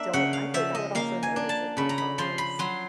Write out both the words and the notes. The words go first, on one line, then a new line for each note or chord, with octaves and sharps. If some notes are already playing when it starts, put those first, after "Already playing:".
don't I think I would also notice if my phone was,
Already playing: A#3 D4 E5
C#3 F#5
F5
F3 E5
D#5
A#3 F5
G#5
D4
A5
C#3 B5
A#5
B5
F3 C6
B5
F#3 C6